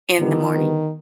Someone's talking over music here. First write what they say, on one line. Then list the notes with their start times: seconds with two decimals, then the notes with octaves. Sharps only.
in the morning
0.20 D3 D#3 G3 B3
0.54 D3 G3 B3